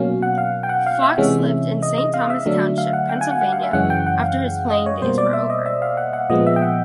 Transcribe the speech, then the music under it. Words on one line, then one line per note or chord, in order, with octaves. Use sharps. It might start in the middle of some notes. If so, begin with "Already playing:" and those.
Fox lived in Saint Thomas Township, Pennsylvania after his playing days were over.
Already playing: B2 F#3 A#3 C#4 F5
F#5
F5
G5
F#5
F5
E5
C3 E3 G#3 C#4
D#5
D#5
F5
E5
D3 F#3 A3 D4
F5
F#5
G5
G#5
F#5
F#5
F5
E5
F#2 C#3 E3 G#3 C#4 F#5
G5
F#5
F5
D#5
C#5
B2 G3 A#3 C5
D5
E5
D#5
E5
F5
F#5
F#5
A#2 F3 G#3 B3 D#5
E5
G5
F#5